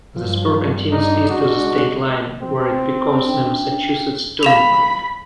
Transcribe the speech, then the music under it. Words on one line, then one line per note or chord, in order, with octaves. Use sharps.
The spur continues east to the state line, where it becomes the Massachusetts Turnpike.
G2 F3
D4 D#4
G#3 F#4
C4
C#4 D4 G5
F5 B5 E7 F7